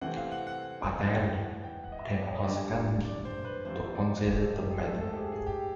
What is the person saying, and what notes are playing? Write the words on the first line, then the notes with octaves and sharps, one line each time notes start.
Patel then asked Gandhi to consider the matter.
C3 E3 A3 C4 F#5
F5
F#5
F#5
F5
F#5
E2 C#3 E3 G5
F#5
G5
F#5
D#5
E5
D5
C#5
D#5
F#2 D3 G3 D5
D5
C5
B4
F2 C3 F3 C5
D5
G#4
A4
G4
G#4
G#2 F3 A3 C4 A4
A4
G4
G#4
G#4
G4